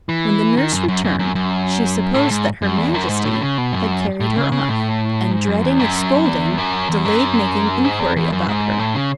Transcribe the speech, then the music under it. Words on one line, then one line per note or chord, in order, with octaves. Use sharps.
When the nurse returned, she supposed that her Majesty had carried her off, and, dreading a scolding, delayed making inquiry about her.
E3
D#3
F#2
F#2
F#2
F#2
F#2
A2
G#2
F#2
E2
F#2
G#2
A2
C#3
B2
F#2
A2
C#3
C#3
A2
G#2
F#2
E2
F#2
E2
F#2
E2
F#2
G#2
E2
E2
F#2
G#2
A2
C#3